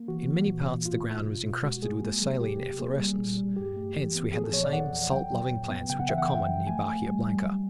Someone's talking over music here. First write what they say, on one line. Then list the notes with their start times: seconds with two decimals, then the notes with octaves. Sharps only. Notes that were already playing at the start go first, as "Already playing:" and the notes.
In many parts the ground was incrusted with a saline efflorescence; hence we had the same salt-loving plants which are common near Bahia Blanca.
Already playing: A#3
0.08 E3 F#4
0.27 E3
0.46 A#2
0.66 A#2
0.86 G#2 F4
1.05 G#2
1.25 B2
1.44 B2
1.63 G#3 F#4
1.82 G#3 G#4
2.02 A#3
2.22 F#3
2.41 C3 G4
2.60 C3
2.79 A#3 G#4
2.98 G3
3.18 A#2
3.37 G3
3.56 G2 G4
3.76 A3
3.96 E3
4.15 B3
4.34 F3 G#4
4.44 A4
4.53 A#2 C#5
4.64 D5
4.73 E2 F#5
4.92 E2
5.11 F#3 G5
5.32 F#3
5.51 A#2
5.70 B3
5.90 C#3 G5
5.99 F#5
6.09 E3 E5
6.18 F#5
6.28 F#2 G5
6.48 F3
6.67 A3 G#5
6.86 A3
7.05 G3
7.25 G3
7.45 F#3